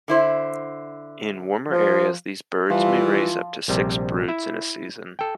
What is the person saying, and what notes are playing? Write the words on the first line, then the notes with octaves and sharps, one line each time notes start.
In warmer areas, these birds may raise up to six broods in a season.
D3 E4 C5
F3
E3 F3 G3 F4
A#1 C3 G3
E4 E5
A4 G5